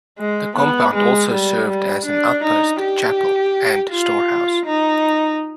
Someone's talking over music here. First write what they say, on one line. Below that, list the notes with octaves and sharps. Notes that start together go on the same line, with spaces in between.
The compound also served as an outpost, chapel, and storehouse.
G#3
B3
G#3
G3
G3
D4
D#4
G4
F4
D#4